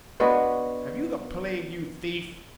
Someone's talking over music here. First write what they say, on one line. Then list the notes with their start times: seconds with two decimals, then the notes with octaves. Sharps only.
Have you the plague, you thief?
0.20 G#3 B3 D4 F#4